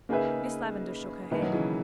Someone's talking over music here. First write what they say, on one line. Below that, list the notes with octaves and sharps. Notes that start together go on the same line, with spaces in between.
Miss Lavendar shook her head.
C#3 A#3 D#4 G#4 B4 E5
B2 D#3 A#3 E4 B4 D#5
F#3
C#3 E3